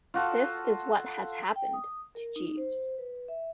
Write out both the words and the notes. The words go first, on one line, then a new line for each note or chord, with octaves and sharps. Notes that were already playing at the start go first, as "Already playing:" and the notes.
That is what has happened to Jeeves.
F4 F#4 A4
G5
D#6
A#4
D#4
C5
B4
E5